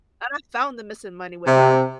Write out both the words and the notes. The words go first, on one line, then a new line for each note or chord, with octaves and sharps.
And I found the missing money with her.
C3